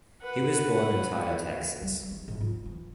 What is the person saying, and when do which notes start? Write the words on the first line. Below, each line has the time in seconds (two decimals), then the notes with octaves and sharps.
He was born in Tyler, Texas.
0.22 B4 F#5
1.82 G3
2.11 G3
2.28 G#2
2.41 F4
2.66 E3